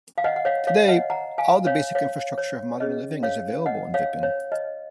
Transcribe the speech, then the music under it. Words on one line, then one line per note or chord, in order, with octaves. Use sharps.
Today, all the basic infrastructure of modern living is available in Vypin.
F5
D#5 F#5
F#5
C#5 F5
C#5 F5
D#5 F#5
F#5 A#5
F5 G#5
C#5 F5
C#5 F5
C#5
C#4 G#4 C#5 D#5
C#5 F5
D#5 F#5
C#5 F5
C#5
D#5